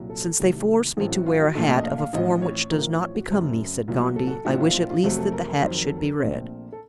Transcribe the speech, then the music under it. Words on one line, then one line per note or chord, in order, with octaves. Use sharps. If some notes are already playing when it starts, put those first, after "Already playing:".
"Since they force me to wear a hat of a form which does not become me," said Gondy, "I wish at least that the hat should be red."
Already playing: C2 A#2 F#3
A4
C2 C3 D#3 F#3 A3
A1 A2 F#3 C4 A4
F#4
F4
F#4
A#1 A#2 A3 A4
D#5
F5
F5
A1 A2 F3 C4 D#5
C#5
A1 A2 F3 C4 A#4
C#5
F#4
F#2 C#3 A3 C4 F#4
C2 A#2 F#3
F#4
A4
F#4
A4
A#1 A2 F3 C4 F#4
F4
F4
F4
F2 C3 F#3 A3 C4 F#4
A4
A#4
A#4
F2 D#3 F#3 C4 C5
A#4
A4
A#4
A#1 A#2 A3 C4
A4